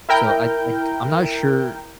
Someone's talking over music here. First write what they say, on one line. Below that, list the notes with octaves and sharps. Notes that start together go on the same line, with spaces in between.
So I I t I'm not sure.
E4 A#4 G5 G6